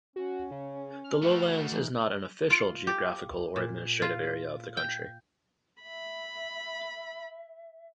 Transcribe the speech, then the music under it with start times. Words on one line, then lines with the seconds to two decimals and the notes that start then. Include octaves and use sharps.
The Lowlands is not an official geographical or administrative area of the country.
0.16 C#4 F#4
0.51 C#3
1.04 F6
1.22 A3 F#4 B4
1.72 E3 D#4
2.50 F4
2.87 G4
3.56 A#2
4.02 F4
4.77 G5
5.82 E5 B5